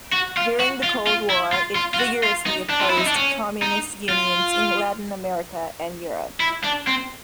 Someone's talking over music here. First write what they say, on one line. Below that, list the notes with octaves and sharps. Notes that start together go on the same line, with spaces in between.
During the Cold War it vigorously opposed Communist unions in Latin America and Europe.
F#4
F4
F#4
F4
F4
E4
F4
F4
F4
F#4
F4
D#4
D4
F4
E4
D#4
D4
C#4
D#4
F4
E4
D4
C4